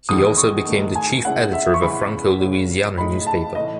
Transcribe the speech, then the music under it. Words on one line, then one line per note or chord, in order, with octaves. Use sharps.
He also became the chief editor of a Franco-Louisiana newspaper.
E2 D#3 G#3 D#4 D#6
C#6
G#2 D#3 A3
G#5
C#3 G#3 C#4 E4 F#5
E5
C#6
E2 C#3 E3 B5
C#3 F#3 C#4
A2 G#3 D#4 B5
A5
A2 E3 A3 D#5